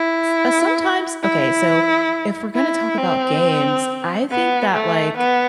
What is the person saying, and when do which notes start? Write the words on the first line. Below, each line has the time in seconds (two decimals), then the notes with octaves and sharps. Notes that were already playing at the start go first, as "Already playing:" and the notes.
s uh, sometimes Okay, so if we're gonna talk about games, I think that, like,
Already playing: E4
1.22 E4
2.55 E4
2.98 C4
4.30 B3
4.73 A3
5.17 B3